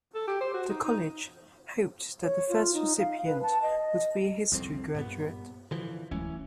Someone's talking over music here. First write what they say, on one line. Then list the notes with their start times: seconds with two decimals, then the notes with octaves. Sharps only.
The college hoped that the first recipient would be a history graduate.
0.15 A4
0.28 G4
0.41 C5
0.54 F#4
0.70 D#4
0.85 D#4
2.23 C#5
2.49 F4
2.74 D#4
2.99 F5
3.24 B4
3.42 A5
3.62 D#5
4.52 C2 F2 C4
4.95 G2 A#2 B3
5.71 D3 E3 F3
6.11 D1 E3 C#4